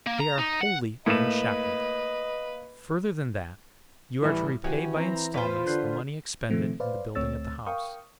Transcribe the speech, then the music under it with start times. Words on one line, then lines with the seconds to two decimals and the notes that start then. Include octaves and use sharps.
They are wholly unshackled, further than that you are to repay by installments the money expended in the building of the house.
0.07 A#3
0.20 A#5
0.39 D#4
0.61 F#5
1.06 A2 A#3 B4 D#5 E7
4.22 A2 E3 G3
4.64 E3 C#4 F#4 G4 F#5
4.96 C4 A#5
5.34 E2 F4 B4 C5
5.66 D3 F#6 G6 C7
6.50 B2 D#3 F3 A3 C4
6.80 B4 C5 D5 F5
7.15 D2 A3 C4 C#5 E6 A6
7.67 A#4 F5 G5 C#6 D#6